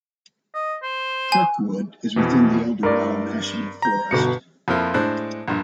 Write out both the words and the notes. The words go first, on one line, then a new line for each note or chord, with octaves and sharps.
Kirkwood is within the Eldorado National Forest.
D#5
C5
G#5
F2 B2 E3
G2 A#4 D5
A#5 G6
G1 B2 C#7
F2 F3 A#3 C4 E4 F4
A2 G#3 D4 C5 F#6
A#1 G2